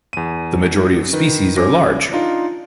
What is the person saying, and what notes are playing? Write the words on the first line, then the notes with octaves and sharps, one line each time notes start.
The majority of species are large.
E2 D#7
D#3 B4
C#4 D6 A#6
D4 D#4 F4